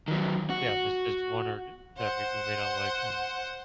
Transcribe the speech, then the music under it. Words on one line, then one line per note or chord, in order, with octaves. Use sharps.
Yeah, there's, there's one or that or we we may not like and,
D#3 F#3
F#4
C5 F#5